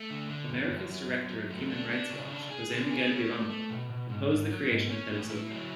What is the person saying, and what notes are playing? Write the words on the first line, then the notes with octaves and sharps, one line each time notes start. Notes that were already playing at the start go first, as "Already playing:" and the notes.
Americas director of Human Rights Watch, Jose Miguel Vivanco, opposed the creation of Telesur.
Already playing: A3
D3
D3
F#2
F#2
F#3
F#2
F#3
A3
D4
D4
C#3
D4
G#4
D3
G#4
C#4
A3
A3
B2
B2
G#2
G#2
F#3
G#2
C#4
A2
E4
F#3